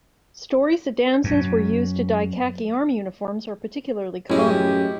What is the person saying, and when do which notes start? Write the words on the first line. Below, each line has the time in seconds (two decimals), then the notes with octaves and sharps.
Stories that damsons were used to dye khaki army uniforms are particularly common.
1.24 F#2
4.30 A1 F#2 G#3 C#4 E4 G4